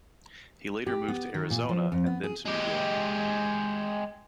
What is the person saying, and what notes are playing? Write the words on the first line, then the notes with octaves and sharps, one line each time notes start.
He later moved to Arizona, and then to New York.
G4
B3
D#3
A#2
F3
F2
B3
G#4
G#3 G4